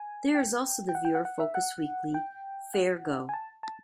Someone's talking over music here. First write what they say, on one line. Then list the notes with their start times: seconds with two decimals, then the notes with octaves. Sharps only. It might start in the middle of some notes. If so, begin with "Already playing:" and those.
There is also the viewer focused weekly "Fair Go".
Already playing: G#5
0.35 G5
0.89 G5
0.95 F#5
1.05 G5
1.15 F#5
1.25 F#5
1.40 E5
1.55 F#5
2.14 G5
2.74 F#5
3.29 G#5
3.34 A5
3.63 A5